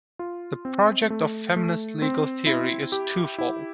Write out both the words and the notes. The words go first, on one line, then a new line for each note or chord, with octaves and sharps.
The project of feminist legal theory is twofold.
F4
C4
A3
A3
C4
E4
G4
E4